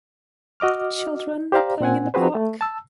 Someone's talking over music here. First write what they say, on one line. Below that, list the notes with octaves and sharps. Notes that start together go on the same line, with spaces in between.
Children are playing in the park.
F#4 D#5 D6 F6
G4 C5 D5 F5 A#5
A#2 C4 F#5 G#5
F3 C4 F#4 G#4 B4 C5
A3
A5 E6